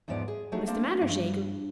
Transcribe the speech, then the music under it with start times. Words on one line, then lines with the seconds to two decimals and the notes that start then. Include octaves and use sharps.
'What is the matter, Jegu?
0.08 E2 G#2 F3 B3 D5
0.28 G#4
0.52 F#3 A3 D#4 G#4
0.67 A#3 C4 D4
1.01 G2